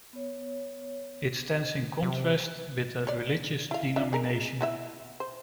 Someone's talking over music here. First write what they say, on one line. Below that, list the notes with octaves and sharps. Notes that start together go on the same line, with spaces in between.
It stands in contrast with a religious denomination.
B3 C#5
C3
C#5 D5
E4 F5
D4 F4 E5
G#4 A#4
B3 E4 E5
C5